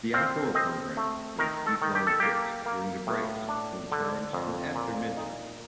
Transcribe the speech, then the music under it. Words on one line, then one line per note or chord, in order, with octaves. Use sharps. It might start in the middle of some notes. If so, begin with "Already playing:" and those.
The Outdoor Program leads week-long trips during the breaks between terms and after midterms.
C4 F5
C4 D#5
A3
D#3 A#4
A4
D#3
G4
A4
A#3 G4
A#3
A2
D4
D3
F2
A#2
D#4